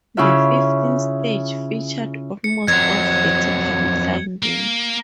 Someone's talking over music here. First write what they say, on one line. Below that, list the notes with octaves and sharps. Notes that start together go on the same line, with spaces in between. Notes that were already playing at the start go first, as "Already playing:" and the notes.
The fifteenth stage featured almost of vertical climbing.
C#3 C#4 E4 F4 E5
C#7
F2 F#3 G#6
A#3